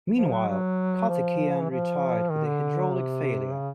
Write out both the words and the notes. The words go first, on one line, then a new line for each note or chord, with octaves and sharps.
Meanwhile, Karthikeyan retired with a hydraulic failure.
F3
F#3
F#3
F3
E3
F3
D#3
D3
C3
C#3